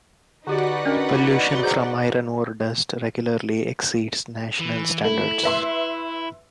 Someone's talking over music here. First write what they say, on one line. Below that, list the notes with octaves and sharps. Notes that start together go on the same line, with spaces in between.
Pollution from iron ore dust regularly exceeds national standards.
D3 D#4 F#4 G4 B4 D5 F#5
C#4 D4 A#4
G#4 C5 A#5
E3
A3 E4
B4 E5 C6